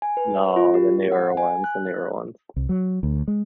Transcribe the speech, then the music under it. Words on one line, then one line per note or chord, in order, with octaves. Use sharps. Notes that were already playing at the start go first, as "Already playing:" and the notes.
No, the newer ones, the newer ones.
G#5
B4
F4
G4
F#5
G#5
F#6
C2
F#3
D2
G#3